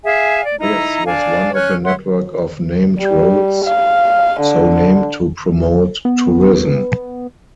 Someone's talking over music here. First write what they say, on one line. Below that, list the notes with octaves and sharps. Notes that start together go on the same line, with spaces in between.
This was one of a network of named roads, so named to promote tourism.
G#4 E5 F5 G#5
D5
D#4 E4 A#5
D4 D5 F5 G#5
C#4 C#5 F6 F#6
C#5 E5 F#5 C6
G3
F5
D3
B3